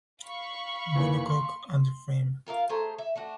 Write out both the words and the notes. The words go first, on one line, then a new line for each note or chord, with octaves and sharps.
Monocoque underframe.
F5 B5 C#6
F#1 D#3 E3
C6
F4 A#4 D#5 F5
A3 G#4 C5 A#5
E5
A3 D4 F#4